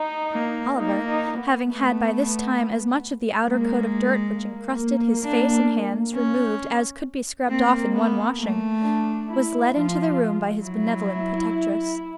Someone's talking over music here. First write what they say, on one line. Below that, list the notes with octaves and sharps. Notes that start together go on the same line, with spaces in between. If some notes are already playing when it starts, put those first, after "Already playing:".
Oliver, having had by this time as much of the outer coat of dirt which encrusted his face and hands, removed, as could be scrubbed off in one washing, was led into the room by his benevolent protectress.
Already playing: D#4
A#3
A#3 D#4
D#4
B3
A3 B3
G#3 A#3
A#3
D4
C#4
A#3 C4
B3
A3
D4
E4
F3 F4
F#3 E4